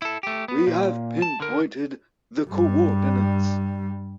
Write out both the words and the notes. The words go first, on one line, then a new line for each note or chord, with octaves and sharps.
We have pinpointed the co-ordinates.
E4 A4
A3 G4
B3
A#2
A5
D3 A#4
G2 G3